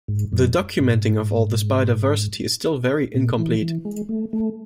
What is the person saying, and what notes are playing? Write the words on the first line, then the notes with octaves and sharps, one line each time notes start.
The documenting of all this biodiversity is still very incomplete.
G#2
F#2
G#2
A#2
E3
E3
G#3
A3
A3